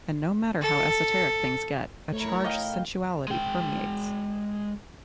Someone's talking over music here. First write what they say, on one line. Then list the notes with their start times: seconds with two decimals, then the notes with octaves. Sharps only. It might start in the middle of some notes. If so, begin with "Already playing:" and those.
And no matter how esoteric things get, a charged sensuality permeates.
0.62 A4
2.13 A3 E4 A#4 C#5
2.44 D#5 F5 G5
3.28 G#3 G5